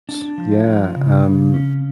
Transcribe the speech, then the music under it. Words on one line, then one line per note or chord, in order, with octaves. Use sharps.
S yeah, um,
D4
F3
F3
C#3
C#3
C#4